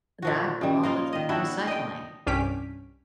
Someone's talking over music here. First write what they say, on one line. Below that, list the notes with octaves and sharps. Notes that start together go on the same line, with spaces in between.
that along with recycling.
A#2 F3 F#4
C#3 G3
A#3 D#4 F4
D#3 D#5
D4 E4 F#4 G4
D#5 G5
C2 G2 C#4 G4 B6 D7